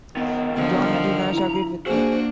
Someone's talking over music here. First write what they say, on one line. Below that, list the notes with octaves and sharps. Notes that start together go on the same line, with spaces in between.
John Henry Nash agreed with me.
C#2 D#3 B3
D3 F3
A#5
E4
A#3 D4 F#4 G#4 C5